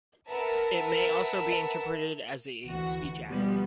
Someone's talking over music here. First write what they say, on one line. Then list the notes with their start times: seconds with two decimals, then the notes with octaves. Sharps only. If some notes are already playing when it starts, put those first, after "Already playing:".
It may also be interpreted as a speech act.
0.28 A#4 B4 E5 F#5 A5
2.64 D2 E3 F#4
3.26 B2 F3 G3 B3